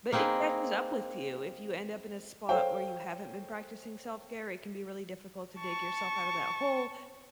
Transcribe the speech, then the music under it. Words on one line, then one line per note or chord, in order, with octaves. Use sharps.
but it catches up with you. If you end up in a spot where you haven't been practicing self-care, it can be really difficult to dig yourself out of that hole
A#3 C4 D#4 G#4 B4
A4 C5 C#5 F5 G5
A5 C#6